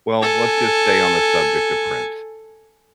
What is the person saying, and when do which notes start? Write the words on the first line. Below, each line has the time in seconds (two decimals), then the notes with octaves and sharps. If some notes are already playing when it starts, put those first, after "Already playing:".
Well, let's just stay on the subject of Prince,
0.22 A4 G#5